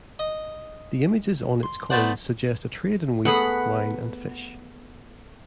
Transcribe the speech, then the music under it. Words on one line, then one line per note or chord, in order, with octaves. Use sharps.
The images on its coins suggest a trade in wheat, wine and fish.
D#5
C6
A3 B3 C5 D5 F#5
A3 B3 G#4 F#5 B5